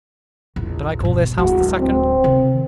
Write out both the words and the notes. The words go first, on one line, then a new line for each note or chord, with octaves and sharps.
Did I call this house the second?
A#1 E2
G2 B2
D1 G#3 F#4
C4
C3 D#3